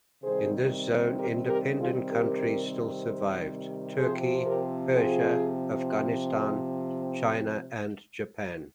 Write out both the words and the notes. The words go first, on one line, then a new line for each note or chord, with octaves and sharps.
In this zone independent countries still survived - Turkey, Persia, Afghanistan, China, and Japan.
C3 D#3 G3 C4 G#4 C5
G4 A#4
G4 A#4
F4 G#4
G4 A#4
C3 F3 C4 G#4 C5
G4 A#4
F4 G#4